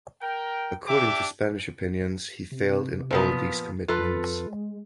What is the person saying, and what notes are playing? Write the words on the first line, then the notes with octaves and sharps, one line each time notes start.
According to Spanish opinions he failed in all these commitments.
A#4 G5
D4 G4 E5 D6
C3
A#2 F3 B3
F2 F4 A4 B4
G#3